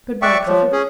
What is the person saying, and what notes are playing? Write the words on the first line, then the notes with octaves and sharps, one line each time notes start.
Good-bye, Clifford.
D5 E5 G5 C#6 D6 F#6
F3 C#5
C#4 G#4